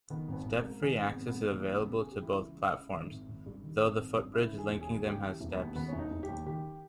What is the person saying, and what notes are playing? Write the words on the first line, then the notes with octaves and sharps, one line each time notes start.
Step-free access is available to both platforms, though the footbridge linking them has steps.
D#3 B3
G#1
B3
G#1
A#4
G#2
D#3 G#4
G#1
B3
G#1
B3
G#2
E3 A#3
C#2
B3
C#2
C#3 G#4
G4
E3 E4
C#2
C#2
C#3
D#3
G#1
G#1
G2
D#3
G#1
G#1
G2
C#3 E4
E3
G#4
E1
G#4
D#2
C#3 G4
E3
E1
D#2 B3
D#3 B3
E1 C#4
D#4
E1
G4
D#2
D#3 G4